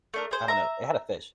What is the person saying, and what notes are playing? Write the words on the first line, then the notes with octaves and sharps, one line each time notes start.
I don't know. It had a fish.
A3 D4 A#4
G#4 C5
E5 A#5